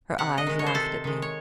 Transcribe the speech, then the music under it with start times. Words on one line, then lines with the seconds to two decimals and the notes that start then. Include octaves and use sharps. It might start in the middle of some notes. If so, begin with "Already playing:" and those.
Her eyes laughed at me.
0.18 C3 F#5
0.38 D#5
0.47 D#3 G#3
0.59 C#5
0.66 C5
0.74 C3 A4
1.04 D#3 G#3
1.22 C#5